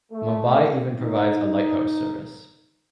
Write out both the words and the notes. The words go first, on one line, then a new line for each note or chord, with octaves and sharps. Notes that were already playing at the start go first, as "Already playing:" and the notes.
Mumbai even provides a lighthouse service.
A3
D#4